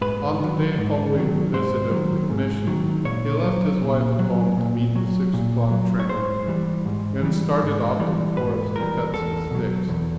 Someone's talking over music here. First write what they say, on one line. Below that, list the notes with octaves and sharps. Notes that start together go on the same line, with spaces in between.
On the day following the visit of the commission he left his wife at home to meet the six o'clock train, and started off to the forest to cut some sticks.
G#2 B4
D#3 F#3
G#2
D#3 F#3
G#2 C5
D#3 F#3
G#2
D#3 F#3
A#2 C#5
F#3
A#2
F#3
A#2
F#3
A#2
F#3
C#5
G#2 C5
E3 G3
G#2
E3 G3
G#2
E3 G3
G#2 B4
E3 G3 A#4
E2 A4
B2 F#3
E2